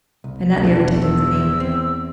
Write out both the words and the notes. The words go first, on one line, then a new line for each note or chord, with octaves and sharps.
And that irritated Levin.
C2
E2 B2 D4
E6
C4